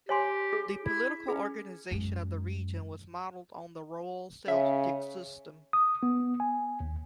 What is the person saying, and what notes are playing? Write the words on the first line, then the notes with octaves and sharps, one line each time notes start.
The political organization of the region was modeled on the royal Celtic system.
G4 C#5 G#5 C6
G#4
E4
C#4 G#4
F#2 G#3
C#3 E5
D#6
B3
G#5
D#2